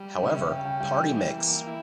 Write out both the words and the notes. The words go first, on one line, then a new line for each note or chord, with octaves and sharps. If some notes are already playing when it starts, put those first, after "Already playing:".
However, Party Mix!
Already playing: G3
C#3
E5
C#3 G5
G5
G3 G5
E3
A#3
E4